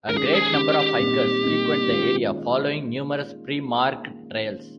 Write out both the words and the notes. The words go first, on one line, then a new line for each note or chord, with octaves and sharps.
A great number of hikers frequent the area, following numerous pre-marked trails.
D#3 G#3 C#4 A#4
G#4
G4
G#4
D#3 G#3 C#4 G4
A#2 G3 C4 D#4
A#2 G3 C4 D#4
D#3 G#3 C#4 F4